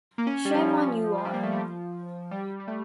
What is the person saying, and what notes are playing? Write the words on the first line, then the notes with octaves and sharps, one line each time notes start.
Shame on you all.
A#3
C#4
G3
F3
F3
G3
A#3
A3
G3
F3
G3
G3
A3